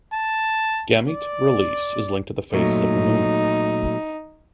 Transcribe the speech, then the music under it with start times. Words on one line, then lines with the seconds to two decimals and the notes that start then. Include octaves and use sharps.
Gamete release is linked to the phases of the moon.
0.13 A5
1.09 D5
2.53 A#2 F#3 A3 D#4